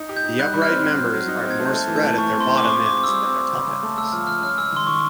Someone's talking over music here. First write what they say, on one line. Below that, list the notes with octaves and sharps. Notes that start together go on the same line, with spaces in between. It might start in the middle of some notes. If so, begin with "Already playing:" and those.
The upright members are more spread at their bottom ends than their top ends.
Already playing: D#4
G4
G6
D#4
G3 F#6
G3
F6
C4
C4
F#3
F#3
D#4 F#6
C4
G#6
A3
G6
A3 G#6
E3
G6
A3
E3 C#6
C4
C6
C4
D6
G#4 C#6
F4 C#6
D6
C4
E6
G3 D#6
C4
C4
C#3
C#3
A3
A3 E6
F3 F6
C#3 F6
C#4 F6
G#3 E6
D#3 C6
D#3 C#6